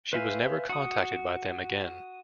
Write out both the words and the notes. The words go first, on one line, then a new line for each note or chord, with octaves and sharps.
She was never contacted by them again.
B4 C5 E5 F5 G#5
F#4 D#6